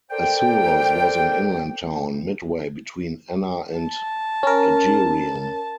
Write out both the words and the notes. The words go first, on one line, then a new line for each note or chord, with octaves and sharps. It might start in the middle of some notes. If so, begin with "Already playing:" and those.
Assorus was an inland town, midway between Enna and Agyrium.
A4 A#4 C5 D5 G5
A5
C#4 A#4